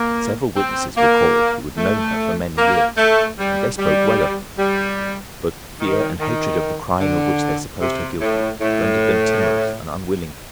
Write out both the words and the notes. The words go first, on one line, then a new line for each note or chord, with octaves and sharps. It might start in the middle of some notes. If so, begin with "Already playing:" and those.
Several witnesses were called who had known her for many years, and they spoke well of her; but fear and hatred of the crime of which they supposed her guilty rendered them timorous and unwilling to come forward.
Already playing: A#3
C4
A#3
A3
A#3
A3
G3
G3
G3
D#3
D#3
D3
C3
A2
A2